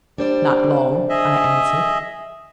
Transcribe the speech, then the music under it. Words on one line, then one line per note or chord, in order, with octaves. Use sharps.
"Not long," I answered.
G3 D4 C5 D5
G#4 D#5 E5